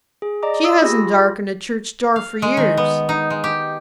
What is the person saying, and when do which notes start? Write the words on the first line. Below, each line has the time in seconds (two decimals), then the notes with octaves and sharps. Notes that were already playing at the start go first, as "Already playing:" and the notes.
She hasn't darkened a church door for years.
0.22 G#4
0.43 D5 D#5 A#5 D6
0.64 D#6 E6
0.82 F4 G4 G#4 B5 A#6
2.16 F5
2.42 G#3
2.57 D#3
2.77 B3
3.09 D#4
3.30 G#3
3.44 G4